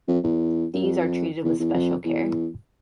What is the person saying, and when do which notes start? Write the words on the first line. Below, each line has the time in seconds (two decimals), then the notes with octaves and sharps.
These are treated with special care.
0.08 F2
0.24 E2
0.74 F#2
0.84 F2
1.44 E2
1.60 E2
1.74 F2
2.05 E2